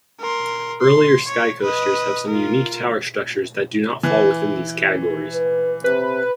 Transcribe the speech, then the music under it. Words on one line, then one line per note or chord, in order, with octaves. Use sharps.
Earlier Skycoasters have some unique tower structures that do not fall within these categories.
A#4 C6
C6
C#5
B4 D#5
F4 A#4
E3
B4
C3 B4